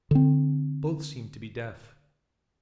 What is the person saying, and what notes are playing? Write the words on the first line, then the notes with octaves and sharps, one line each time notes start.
Both seemed to be deaf.
D3 C4